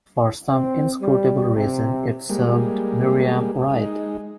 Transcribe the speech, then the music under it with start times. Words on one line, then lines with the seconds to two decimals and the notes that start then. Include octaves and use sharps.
For some inscrutable reason it served Miriam right.
0.51 C4
1.01 G3
1.57 C3
2.29 G3 G#3 A#3
3.74 G#3 D#4